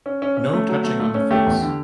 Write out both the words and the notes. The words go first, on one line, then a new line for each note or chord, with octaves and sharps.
No touching on the face.
C#4
C#4
C#4
A3
F#3
A3
A3
C#4
A3 G4
E2
D3